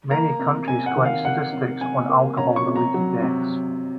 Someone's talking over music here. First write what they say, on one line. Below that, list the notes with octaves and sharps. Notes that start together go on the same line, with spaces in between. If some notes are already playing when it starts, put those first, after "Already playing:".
Many countries collect statistics on alcohol-related deaths.
A#3 A#5
C3
C3 G#5
F#5
D#3
F5
C3 F#5
C3
C3 G#5
A#3
C#4 A#5
C#6
C3
A#5
F#3
C3